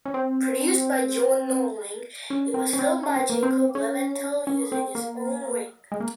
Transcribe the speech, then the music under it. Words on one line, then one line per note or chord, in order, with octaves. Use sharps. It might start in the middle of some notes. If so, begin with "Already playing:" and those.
Produced by John Norling, it was filmed by Jacob Leventhal using his own rig.
C#4
C4
C#4
C4
C#4
C4
C#4
C4
A#3
C4
C#4
C#4
C4
A#3
G#3
A#3